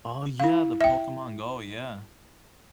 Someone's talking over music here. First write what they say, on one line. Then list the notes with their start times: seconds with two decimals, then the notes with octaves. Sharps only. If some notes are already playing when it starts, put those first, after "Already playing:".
Oh yeah, the Pokemon Go, yeah.
0.40 E4 F5
0.81 E5 G5